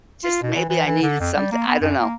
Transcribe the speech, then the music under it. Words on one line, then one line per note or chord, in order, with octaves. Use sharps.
just, maybe I needed something I don't know.
F4
B2
E3
E3
E3
D3
F2
G3
A#3
B3
F#2
A#3